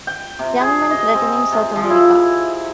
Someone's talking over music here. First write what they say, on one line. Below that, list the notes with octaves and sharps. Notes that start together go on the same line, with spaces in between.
Young men threatening South America!
G5
C3
G#4
D#5
C4
C3
F3
E4